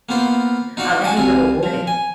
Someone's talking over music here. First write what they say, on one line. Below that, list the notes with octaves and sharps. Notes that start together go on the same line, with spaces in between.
Um, and they were rewarded
A#3 B3 F4 C5
D#4 F4 F#4 D5
F#4 G#5 A5 D#6
C2 F4 G#5
F3
G#5